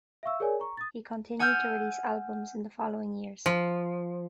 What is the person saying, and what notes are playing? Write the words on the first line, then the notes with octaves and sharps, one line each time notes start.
He continued to release albums in the following years.
E5 F5 C#6 E6
G#4 A#4 C#5 D5 G#5
A#5 C#6
D#6 A6
F#5 G#5 E6 F6 G6
F3